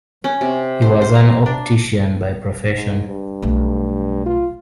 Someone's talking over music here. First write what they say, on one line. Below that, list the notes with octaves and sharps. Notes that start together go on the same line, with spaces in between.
He was an optician by profession.
C#4
C3
C5
C5
A#5
D4
G#2
G2
B1 A3
F4